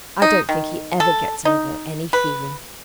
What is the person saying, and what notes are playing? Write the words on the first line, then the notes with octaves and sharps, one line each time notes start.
I don't think he ever gets over any feeling.
D#4
D#3
A4
D#4
B4